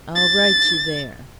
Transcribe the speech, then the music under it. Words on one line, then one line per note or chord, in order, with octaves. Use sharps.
"I'll write you there."
A6